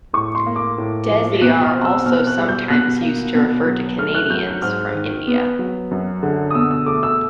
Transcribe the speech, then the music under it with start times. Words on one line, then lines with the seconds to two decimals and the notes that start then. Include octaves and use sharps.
Desi are also sometimes used to refer to Canadians from India.
0.13 A2 C#6
0.35 C6
0.46 A#3
0.56 D6
0.78 A2
1.10 F3
1.41 B2 F#6
1.63 F6
1.74 C4
1.84 E6
2.06 B2 F6
2.27 F#6
2.38 G3
2.48 G6
2.70 B2 F#6
3.02 A#3
3.35 B2
3.66 F#3
3.98 A3 F6
4.15 F#6
4.30 F#3 G6
4.47 G6
4.62 G#2 F6
4.94 D#3
5.27 B3
5.59 F#3
5.91 F#2
6.23 D3
6.50 D#6
6.55 B2 E6
6.71 E6
6.86 A3 D6
7.03 E6